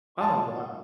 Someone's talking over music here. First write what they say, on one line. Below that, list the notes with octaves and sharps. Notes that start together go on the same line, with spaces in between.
Oh, wow.
A5